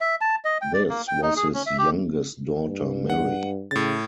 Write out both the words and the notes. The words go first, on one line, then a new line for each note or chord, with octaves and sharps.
This was his youngest daughter Mary.
E5
A5
D#5
G5
D5
A#3
G5
D#4
G#4
C#4
E5
G4
G2
F#5
A2 C#3 A6